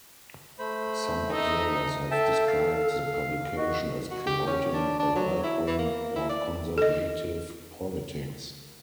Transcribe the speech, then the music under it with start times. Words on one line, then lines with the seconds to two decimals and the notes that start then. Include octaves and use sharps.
Some observers have described the publication as promoting a right-wing, or conservative, politics.
0.59 A3 C5 B5
1.32 D#4 A4 D#5 E5
2.11 A4 E5 G5 A5
2.47 F5
3.57 F#4 D#5
4.11 F#4
4.27 G4
4.47 C#4
4.74 D4
4.99 D4
5.16 F#3
5.43 E4
5.67 E3
5.79 A#3
6.16 E4
6.29 D5
6.78 A4 D#5